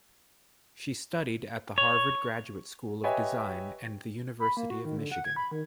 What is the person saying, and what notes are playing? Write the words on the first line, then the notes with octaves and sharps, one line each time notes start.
She studied at the Harvard Graduate School of Design and the University of Michigan.
C#5
G4 B4 C#5 D#5 E5 G#5
B5
A#3
F#4
D#3
D3
F#5
G#6
B5
D#3